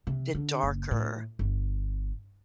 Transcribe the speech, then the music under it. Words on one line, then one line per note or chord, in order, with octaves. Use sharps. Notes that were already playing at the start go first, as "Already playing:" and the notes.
the darker,
C3
D3
F#1
A2
G1